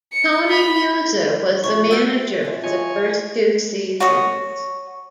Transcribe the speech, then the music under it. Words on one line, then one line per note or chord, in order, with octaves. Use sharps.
Tony Muser was the manager for the first two seasons.
C#7
B5
F3 E4 C#6
B3 F#4 E6 F#6 G6 A6
E3 F3
F4 C#5 D#5 G#5
F#4 C#5 D#6